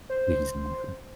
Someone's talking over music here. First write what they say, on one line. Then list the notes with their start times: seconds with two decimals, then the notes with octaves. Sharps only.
But he's in the clear.
0.10 C5